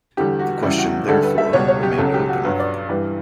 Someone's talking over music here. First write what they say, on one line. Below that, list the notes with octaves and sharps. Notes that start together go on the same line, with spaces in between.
The question therefore remained open.
E2 D3 G3 G4
F#4
E2 C#3 G3 E4
F#4
D2 D3 G3 A4
B4
E5
C#2 B2 G3 C#5
C#5
G4
C#2 C#3 F#3 A4
G4
F#4
G2 F#3 B4
D5
G2 E3 G3 B4